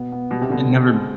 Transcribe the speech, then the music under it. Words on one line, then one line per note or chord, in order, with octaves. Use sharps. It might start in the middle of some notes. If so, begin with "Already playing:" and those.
It never
Already playing: B2 B3
B3
B2 G3
C3
B2 D3
C4
G#3